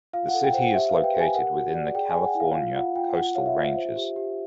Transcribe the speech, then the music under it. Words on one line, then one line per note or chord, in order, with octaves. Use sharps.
The city is located within the California Coastal Ranges.
F4 F5
F#5
A4
G5
C5 F#5
G4 E5
F5
B4
G5
G4
G#5
A#4 F#5
F#4
D5
G#4 G5
G#4 G#5
F#5
E4
F5
F4 F5
F4 F#5
F4 G5
F4 F#5
C#5 F5
E5
F4
C5
G4
G4